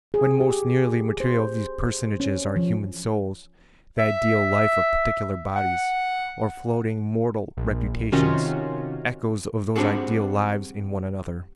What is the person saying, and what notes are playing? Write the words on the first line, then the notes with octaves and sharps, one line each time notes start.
When most nearly material these personages are human souls--the ideal life of particular bodies--or floating mortal reputations--echoes of those ideal lives in one another.
G#4
G4
C5
C#4
F3
E5
F#5
A#1
C3 D#3 C#4 F4 F#4
G3 C4 D4 F#4 G#4 A4